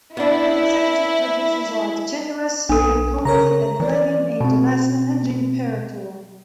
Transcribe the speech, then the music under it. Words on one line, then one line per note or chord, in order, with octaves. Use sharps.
The executive producers are DeGeneres, Mary Connelly, Ed Glavin, Andy Lassner and Jim Paratore.
B3 D4 E4
B1 D4 A4
C#3 A#4 C#5 A#5
E3 D5
B2 C4